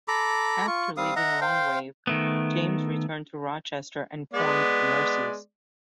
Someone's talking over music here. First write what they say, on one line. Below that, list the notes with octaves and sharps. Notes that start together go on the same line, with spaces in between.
After leaving Longwave, James returned to Rochester and formed the Mercies.
A4 A#5 B5 D6
F4 C#6
G3 C4 F5 D#6
D#5 E5 F#5 A#5
C5 F5 G5
D#3 A3 B3
G#3 B3 D5